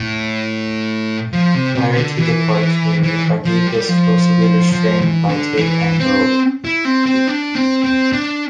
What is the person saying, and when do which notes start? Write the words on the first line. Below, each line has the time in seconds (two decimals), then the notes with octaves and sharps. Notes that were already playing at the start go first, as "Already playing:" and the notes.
Prior to departure, Ageeb was forcibly restrained by tape and rope.
Already playing: A2
1.33 F3
1.55 C3
1.75 C3
1.97 D3
2.18 E3
3.03 E3
3.45 F3
3.67 G3
3.88 F3
4.72 F3
5.02 E3
5.30 D3
5.57 E3
6.00 C4
6.65 E4
6.85 C4
7.06 C4
7.27 D4
7.56 C4
7.84 C4
8.13 D4